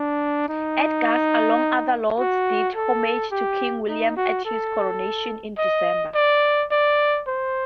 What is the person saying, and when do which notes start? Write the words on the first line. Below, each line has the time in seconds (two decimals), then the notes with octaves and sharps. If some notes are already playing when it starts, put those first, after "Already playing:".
Edgar, alongside other lords, did homage to King William at his coronation in December.
Already playing: D4
0.49 D#4
2.19 F#4
2.76 A4
3.31 G4
3.89 D#4
4.17 F#4
4.45 A4
5.58 D#5
6.15 D5
6.71 D5
7.28 C5